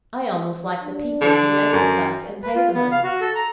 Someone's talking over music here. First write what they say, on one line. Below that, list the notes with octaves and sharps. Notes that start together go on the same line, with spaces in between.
I almost like the people who make the fuss and pay the money.
D4
D3
F#2
B4
F4
B3
F5
F#4
A4
A#5